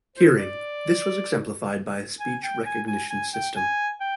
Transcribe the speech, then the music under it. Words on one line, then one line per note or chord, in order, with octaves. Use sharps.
Hearing: this was exemplified by a speech recognition system.
C5
D5
G#5
G5
G#5
G#5
G#5
G5
G#5
G5